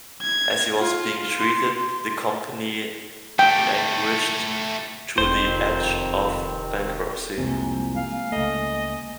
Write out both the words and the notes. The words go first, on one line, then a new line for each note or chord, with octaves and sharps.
As he was being treated, the company languished to the edge of bankruptcy.
G#6
F4
C6
A3 G4 G5
E1 F2 D4 C5
C3 D#3 C4
C2 F2 C3 G#3 A#3 G#5
F5
C#2 A3 D#5